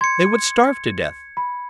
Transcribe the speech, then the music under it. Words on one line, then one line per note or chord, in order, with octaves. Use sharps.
They would starve to death.
C6 G#6 C#7
B5